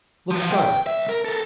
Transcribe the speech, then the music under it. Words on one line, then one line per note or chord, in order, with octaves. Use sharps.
Look sharp!
E3 F3
B2 G5
C2 E5
A#4
A4 A#4